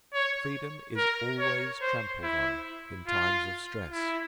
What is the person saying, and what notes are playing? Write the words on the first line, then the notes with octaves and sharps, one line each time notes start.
Freedom is always trampled on in times of stress.
C#5
A#4
C#5
C5
E4
F4
E4